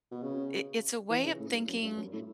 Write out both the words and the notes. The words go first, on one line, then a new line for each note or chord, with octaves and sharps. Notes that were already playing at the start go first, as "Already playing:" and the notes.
It it's a way of thinking
B2
C#3
E3
C#3
A2
G2
F#2
G2
F#2
A2